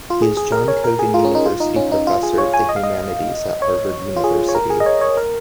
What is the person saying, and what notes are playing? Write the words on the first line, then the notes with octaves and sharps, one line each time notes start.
He is John Cogan University Professor of the Humanities at Harvard University.
F4
G#4
G#4
A#4
C#5
A#4
G#4
F4
C#4
D#4
F4
D#4
C#4
D#4
F4
G#4
C#5
G#5
D#5
F5
D#5
C#5
F4
G#4
C#5
A#4
G#4
D#5
C#5
C#5
A#4